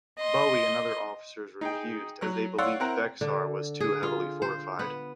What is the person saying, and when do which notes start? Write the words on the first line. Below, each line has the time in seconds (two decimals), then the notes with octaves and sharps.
Bowie and other officers refused, as they believed Bexar was too heavily fortified.
0.18 D#5 C6
1.61 D#4 G#4 G5
2.21 F#3 F#6
2.58 C#5 D5 F5 F#5 C6 E6
2.80 C4 E4 A#4 F#5 A#5
3.21 D3
3.80 G#4
4.03 F4
4.42 C5
4.79 B3